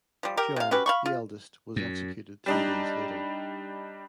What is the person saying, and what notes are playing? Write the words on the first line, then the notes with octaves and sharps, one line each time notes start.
John, the eldest, was executed three days later.
F3 G3
G4 A#4
C3 F5
C#4 F#4 G4 B4
F5 B5 C#6
F4
F#2
G3 D4 D#4